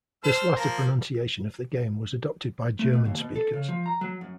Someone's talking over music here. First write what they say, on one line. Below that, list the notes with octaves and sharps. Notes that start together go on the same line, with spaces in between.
This latter pronunciation of the game was adopted by German speakers.
C5 A5 E6 F6
F3 A#3 A#4
A3
B2
D#2
B2
A4
C#3
F3
A#5
F#3
F#2